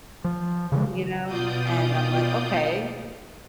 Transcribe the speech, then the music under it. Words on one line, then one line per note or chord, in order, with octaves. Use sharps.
You know, and I'm like, "Okay,
F3
C#3 E3 G#3
B2 F4 D5 D#6 G6